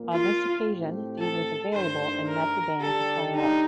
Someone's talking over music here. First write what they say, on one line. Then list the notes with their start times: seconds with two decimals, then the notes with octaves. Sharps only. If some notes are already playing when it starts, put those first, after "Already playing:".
On this occasion, Dee was available and met the band to try out.
Already playing: A#2 F3 A#3
0.13 F4
0.66 A2 A3 C4 G4 C5
1.19 A4
1.73 G2 D#3 A3 D4 C5
2.27 A#4
2.81 D3 G3 D4 G4 A4
3.35 D#4